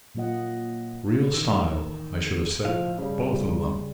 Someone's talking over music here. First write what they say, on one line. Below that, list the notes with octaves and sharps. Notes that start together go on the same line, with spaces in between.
Real style, I should have said--both of them.
A#2 F#3 A#3 F4 D#5 F#5
A1 D#3 E6
A2 F3 D#5 F5
G2 C#3 G3